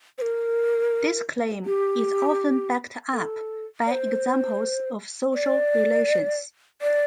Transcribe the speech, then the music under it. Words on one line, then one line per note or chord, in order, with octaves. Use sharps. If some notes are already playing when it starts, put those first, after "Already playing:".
This claim is often backed up by examples of social relations.
C5
A#4
G4
A#4
A4
D5
C5
D5
D5